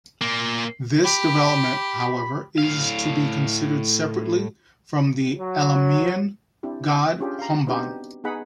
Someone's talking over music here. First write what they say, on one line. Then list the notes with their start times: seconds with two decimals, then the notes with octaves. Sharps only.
This development, however, is to be considered separately from the Elamian god Humban.
0.21 A#2 A#3
1.04 G4 B5
2.58 A2 F5
5.38 F#3
6.63 C4 D4 E4 G4
7.21 C#4 D4 F4 G4 G#4
7.39 F5 A#5
7.67 B3 C4 D4 D#4 F#4 G4
8.24 B3 D#4 G#4 F#5 B5